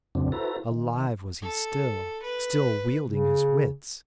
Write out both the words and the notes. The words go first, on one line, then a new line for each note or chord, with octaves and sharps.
Alive was he still, still wielding his wits.
F2 A2 C#3 F#3 C4 D4
E4 F#4 A4 B4 C5 A#5
D#3
A4
B4
C#3